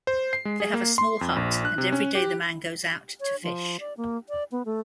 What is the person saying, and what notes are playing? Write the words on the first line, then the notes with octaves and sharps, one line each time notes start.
They have a small hut, and every day the man goes out to fish.
C5
C7
G#3
G#4
A#3
C6
F2
A#1
F#6
C3
C#4
G4
C#5
F3
D5
A#3
D5
B3
A3